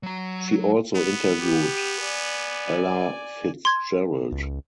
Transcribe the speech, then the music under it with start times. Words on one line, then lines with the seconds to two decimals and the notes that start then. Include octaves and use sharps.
She also interviewed Ella Fitzgerald.
0.03 F#3 A#5
0.96 B3
1.39 G4
1.99 D5 G#5
3.65 C6 G#6
4.32 C#2